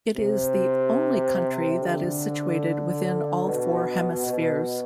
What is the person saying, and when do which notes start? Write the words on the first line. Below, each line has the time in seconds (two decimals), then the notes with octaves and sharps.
It is the only country that is situated within all four hemispheres.
0.15 C3
1.79 D3
3.44 B2
4.27 B2